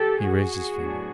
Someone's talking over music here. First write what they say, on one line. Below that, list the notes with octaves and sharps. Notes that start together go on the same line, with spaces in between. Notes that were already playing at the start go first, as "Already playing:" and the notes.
He raised his finger.
Already playing: G4 A4
F#4 G#4
A2 F#3 B3 D4